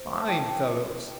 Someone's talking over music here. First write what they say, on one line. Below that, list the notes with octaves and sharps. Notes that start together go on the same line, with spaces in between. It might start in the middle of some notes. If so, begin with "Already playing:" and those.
Fine fellows!'
Already playing: C5
A5
E4 G5
A5
G5